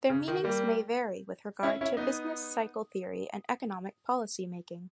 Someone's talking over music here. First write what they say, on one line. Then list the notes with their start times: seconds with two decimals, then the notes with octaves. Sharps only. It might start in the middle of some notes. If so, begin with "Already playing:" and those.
Their meanings may vary with regard to business cycle theory and economic policy making.
0.10 C#3
0.28 D#3
0.44 G3 A#3
1.63 C#4 E4
1.81 C#4 E4
1.97 B3 D#4